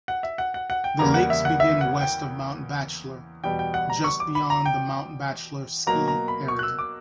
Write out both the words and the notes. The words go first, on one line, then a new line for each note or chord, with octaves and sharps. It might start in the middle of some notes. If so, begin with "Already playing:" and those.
The lakes begin west of Mount Bachelor, just beyond the Mount Bachelor ski area.
F#5
E5
F#5
F#5
F#5
G5
E2 C#3 G3 A#3 A#5
F#5
E5
F#5
E5
F#5
G5
E2 B2 G3 G5
G5
F#5
A#5
C#6
D6
B5
A#5
G5
B2 F#3 A#3 A#5
A#5
B5
C#6
F#6
E6
D6